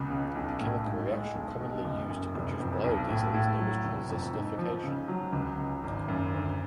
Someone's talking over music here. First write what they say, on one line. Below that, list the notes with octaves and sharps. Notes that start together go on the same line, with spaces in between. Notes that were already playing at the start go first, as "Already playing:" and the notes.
The chemical reaction commonly used to produce biodiesel is known as transesterification.
Already playing: C#2 B2
C#3
B1
A2
G#2
G#3
B1
B2
F#1
F#2
F1
F2
B1
A2
A2
F#3
F1
F2
G#2
F3
C#3
F#3
C#2
C#3
G#1
F#2
D2